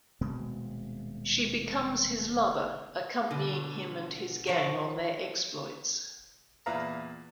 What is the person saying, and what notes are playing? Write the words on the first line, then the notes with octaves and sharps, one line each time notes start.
She becomes his lover, accompanying him and his gang on their exploits.
D#1 B2 G#3 C4
B2 D3
F3 F#3
E2 A#2 E4 B4 F5 A#5